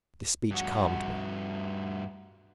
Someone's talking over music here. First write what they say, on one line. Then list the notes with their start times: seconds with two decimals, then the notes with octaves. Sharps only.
This speech calmed me.
0.51 G2 F#4